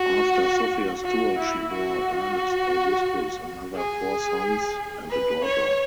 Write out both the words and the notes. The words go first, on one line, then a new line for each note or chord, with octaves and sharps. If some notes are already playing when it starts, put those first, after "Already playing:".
After Sophia's tour, she bore Ernest Augustus another four sons and a daughter.
Already playing: F#4
F#4
E4
F#4
G#4
B4
C#5